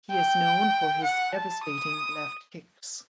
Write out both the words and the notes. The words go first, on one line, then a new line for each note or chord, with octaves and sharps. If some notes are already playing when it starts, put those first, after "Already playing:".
He is known for his devastating left kicks.
G5
F#5
A5
D#6